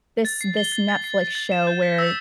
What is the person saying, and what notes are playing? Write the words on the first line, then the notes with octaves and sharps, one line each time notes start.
this this Netflix show where
A6
C7
G7
A6
A6
C7
G7
A6
E7
G6
B6
E6